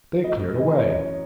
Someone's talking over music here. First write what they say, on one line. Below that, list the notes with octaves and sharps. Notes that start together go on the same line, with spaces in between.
They cleared away.
A3 D#5
E3 D#5
C#5
F#2 D#5